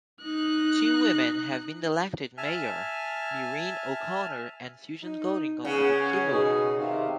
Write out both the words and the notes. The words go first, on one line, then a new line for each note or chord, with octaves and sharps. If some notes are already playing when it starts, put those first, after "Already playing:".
Two women have been elected mayor: Maureen O'Connor and Susan Golding consecutively.
D#4 F#6
E5 G#5 A5 F6
D#4
C#3 B3 C#4 G#4 F#5
B2 D#4 G#4
C3 D#3 D#4 F5